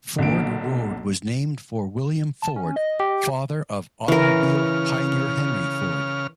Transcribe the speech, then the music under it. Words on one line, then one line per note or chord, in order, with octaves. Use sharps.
Ford Road was named for William Ford, father of automobile pioneer Henry Ford.
B1 A#2 D3 D7
A5
C#4
D#5
G4
C#3 E3 A#4 F6